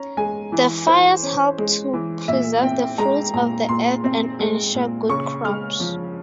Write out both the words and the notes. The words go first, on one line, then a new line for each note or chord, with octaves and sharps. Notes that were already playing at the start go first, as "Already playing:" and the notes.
The fires help to preserve the fruits of the earth and ensure good crops.
Already playing: C#4 A#5
G#3 G#5
E3
E3 C5
C#4
G#3
E3
A#2 E5
C4 G5
G#3 A#5
A#2 A#5
A#2 C6
C4
G#3
A#2
C#3 C#6
G#3 F6
F3